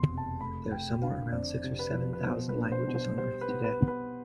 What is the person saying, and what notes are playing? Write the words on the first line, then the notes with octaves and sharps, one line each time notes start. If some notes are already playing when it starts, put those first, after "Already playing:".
There are somewhere around six or seven thousand languages on Earth today.
Already playing: E2 B2 C6
F1
A5
A3 B5
A3 G5
D3 F5
F2 D5
C3
B4
F3
B4
B2 C5
B4
D4
C5
B2
C5
G3 C5
B4
B3
B4
B3
B4